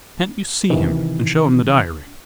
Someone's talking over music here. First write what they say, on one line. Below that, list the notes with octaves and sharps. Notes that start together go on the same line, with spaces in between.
"Can't you see him and show him the diary?"
C3 D#3 E3